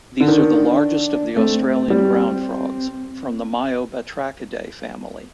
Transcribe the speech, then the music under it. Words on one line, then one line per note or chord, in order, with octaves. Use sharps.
They are the largest of the Australian ground frogs, from the Myobatrachidae family.
D3
D#3 D4
A3 C4
G3 C4